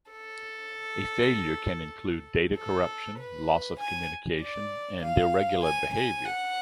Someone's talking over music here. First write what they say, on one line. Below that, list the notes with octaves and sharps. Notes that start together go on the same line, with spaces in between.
A failure can include data corruption, loss of communication, and irregular behavior.
A4
A4
B4
G#5
D5
F5
G#5
G#5
F#5